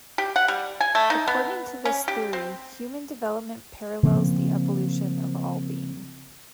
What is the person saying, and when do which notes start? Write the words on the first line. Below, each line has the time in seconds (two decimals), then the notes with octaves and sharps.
According to this theory, human development parallels the evolution of all being.
0.18 G4
0.36 F#5
0.48 G3
0.81 G#5
0.95 A3
1.10 D#4
1.28 B3
1.85 C#4
2.08 G4
2.33 C4
4.03 C#3 F3 A#3 C4